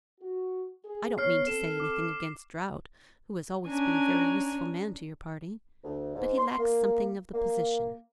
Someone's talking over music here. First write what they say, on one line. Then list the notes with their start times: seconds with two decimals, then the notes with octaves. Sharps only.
"I don't mean to say anything against Drought, who has always been a very useful man to your party;--but he lacks something of the position."
0.21 F#4
0.85 G#4
1.18 B3 C#5 F6 C7
1.47 C4 A4 E7
1.80 D6
3.68 C#4 D4 G#5 A#5
5.84 D2
6.14 G#2
6.38 C6
6.58 A#3
7.34 A#3